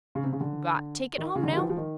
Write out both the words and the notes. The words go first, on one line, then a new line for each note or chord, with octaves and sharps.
Got take it home now.
C#3
C3
C#3
D3
D#3
C#3
D3
D#3
F3
E3
F3
D#3